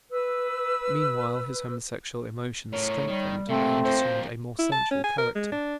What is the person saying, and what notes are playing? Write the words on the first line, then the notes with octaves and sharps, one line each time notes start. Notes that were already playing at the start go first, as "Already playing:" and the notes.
Meanwhile his homosexual emotions strengthened, and assumed a more sensual character.
B4 E6
A2 A#4 C#5
D#3 G3
C3 A3 A#3 C4
F2 A#3 C5
E4
A5
C#4
G#5
A#4
G#3
D4